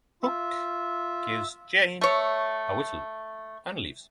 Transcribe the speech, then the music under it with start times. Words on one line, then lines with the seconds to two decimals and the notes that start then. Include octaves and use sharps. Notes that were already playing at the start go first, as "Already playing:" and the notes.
Hook gives Jane a whistle and leaves.
0.23 F4 E5
2.01 A3 C#5